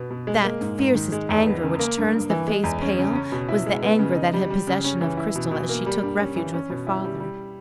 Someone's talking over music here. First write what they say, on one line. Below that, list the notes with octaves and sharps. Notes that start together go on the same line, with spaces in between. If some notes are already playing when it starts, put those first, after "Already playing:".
That fiercest anger which turns the face pale, was the anger that had possession of Cristel as she took refuge with her father.
Already playing: B2 B3
B2
G#3
A#3
G#2
G#2
D#3
G#3
E2
B3
C#3
A#3
G2
G2
E3
G#3
E2
C#4
C#3
C#4
B2
E4
G#3
B3
C#3
D#4
G3
G3
C#3
C#4
E3
E4
B2
B2
A#3
G3
G2
C#4
E3
C#4
B2
E4
G3
G3